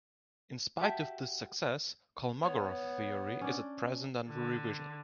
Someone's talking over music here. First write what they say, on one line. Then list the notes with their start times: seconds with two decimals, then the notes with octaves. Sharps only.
In spite of this success, Kolmogorov theory is at present under revision.
0.80 F#4 G4 E5 A5
2.44 B3 C#5
3.41 C#4 D4
4.29 D3